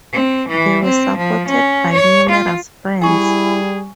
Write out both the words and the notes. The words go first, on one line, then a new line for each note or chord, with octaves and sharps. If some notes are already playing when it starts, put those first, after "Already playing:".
They were supported by numerous friends.
C4
E3
C4
F3
C#4
C#5
F4
G3 E4 G#4 G#5 C#6